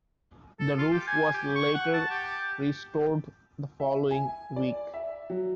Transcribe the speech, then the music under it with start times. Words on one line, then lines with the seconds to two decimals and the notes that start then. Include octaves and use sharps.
The roof was later restored the following week.
0.60 A4
0.78 F4
0.93 G4
1.08 G#5
1.34 G4
1.56 C#6
1.75 F#5
1.94 A5
2.10 G4
3.80 E5
4.11 G#5
4.56 D5
4.94 E5
5.30 F#3